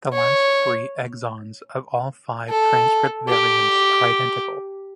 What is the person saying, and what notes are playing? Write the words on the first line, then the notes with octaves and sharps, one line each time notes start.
The last three exons of all five transcript variants are identical.
C#5
A4
G4